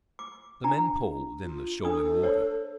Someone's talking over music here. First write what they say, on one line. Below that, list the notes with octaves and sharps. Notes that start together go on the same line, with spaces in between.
The men poled in the shoaling water.
D6
D4 A#5
F4
D4 A4 D#6
C5 C#5